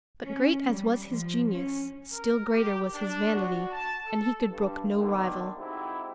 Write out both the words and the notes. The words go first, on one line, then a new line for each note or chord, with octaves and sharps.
But great as was his genius, still greater was his vanity, and he could brook no rival.
C#4
G3
F3
C#4
A#4
G4
D4
F#4
A5
A4
G2
B2 D3 D#3
G#3 C4 D#4 E4 F#4 G4